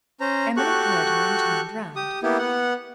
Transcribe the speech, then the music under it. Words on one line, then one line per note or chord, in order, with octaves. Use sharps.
Emily heard her and turned round.
C#4 C5 A#5
F#4 G4 A4 C#6 F#6
G4 D#6
A#3 B3 E4 G4
B3 F#5